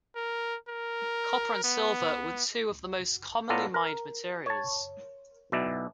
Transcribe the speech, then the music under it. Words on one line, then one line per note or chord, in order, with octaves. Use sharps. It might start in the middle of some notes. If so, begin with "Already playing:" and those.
Copper and silver were two of the most commonly mined materials.
A#4
A#4
B3
A2 B3 F4 A4 D5 A#5
A#4
C#5 A5
B1 B2 E4 D5